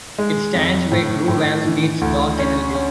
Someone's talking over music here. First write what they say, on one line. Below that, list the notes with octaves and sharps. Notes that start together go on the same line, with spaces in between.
It stands where Grove Vale meets Dog Kennel Hill.
G#3
F2
A2
A2
E3
D2
C#4
C#4